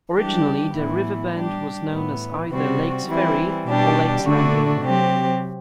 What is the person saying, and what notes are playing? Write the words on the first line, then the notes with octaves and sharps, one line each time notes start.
Originally, the river bend was known as either Lake's Ferry or Lake's Landing.
E3 G3 D4 G4
A2 E3 B3 E4
G3 D4 G4
A2 E3 B3
C3 G3 C4 F#4
E3 G3 C4 E4
B2 G3 D4 G4
D3 A3 D4 F#4
C3 F#3 C4 G4